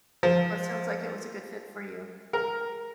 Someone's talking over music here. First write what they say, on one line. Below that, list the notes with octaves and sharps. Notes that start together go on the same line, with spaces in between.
Well, it sounds like it was a good fit for you.
F3
A#4